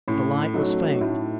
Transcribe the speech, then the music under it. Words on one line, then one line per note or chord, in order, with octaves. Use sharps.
The light was faint.
A2 C#4
F#3 A3 D#4
A2 E4